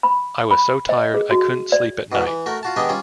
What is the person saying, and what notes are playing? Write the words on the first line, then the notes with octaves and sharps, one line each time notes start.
I was so tired I couldn’t sleep at night.
B5
B5
D#5
G#4
F#4
D5
E2 G#2 B2
E3
A3 F#4 A#4
F4 F#4 A5
D#3 G#3 B3 D4 G4 D#5
G3 C#4 F4